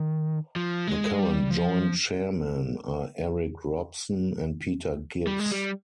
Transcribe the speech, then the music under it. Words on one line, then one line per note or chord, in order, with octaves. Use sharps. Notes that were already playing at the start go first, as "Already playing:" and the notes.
The current joint-chairmen are Eric Robson and Peter Gibbs.
Already playing: D#3
F3
G#3
G3
F3
G3
G#3
G3